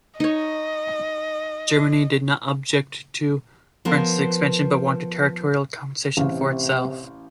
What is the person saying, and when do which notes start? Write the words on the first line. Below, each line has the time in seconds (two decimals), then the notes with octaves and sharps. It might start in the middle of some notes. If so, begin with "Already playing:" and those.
Germany did not object to France's expansion, but wanted territorial compensation for itself.
0.20 D#4 C#5 D#5
3.85 F3 B3 A#4
6.17 A1 C3 F5